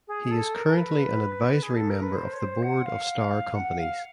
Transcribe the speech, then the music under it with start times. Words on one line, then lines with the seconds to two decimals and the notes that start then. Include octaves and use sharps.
He is currently an advisory member of the board of Starr Companies.
0.08 G#4
0.31 A4
0.54 A#4
0.67 A#4
0.77 B4
1.63 G#4
1.76 A4
1.89 A#4
2.03 B4
2.17 C5
2.33 C#5
2.39 C5
2.63 F#5
2.85 F5
3.55 F#5
3.78 F5